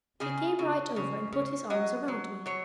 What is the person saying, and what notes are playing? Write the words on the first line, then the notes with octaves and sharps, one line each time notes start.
He came right over and put his arms around me.
C#3 G#4
C#3
C#3
C#3
F#3 D#5
F#3
F#3 C#5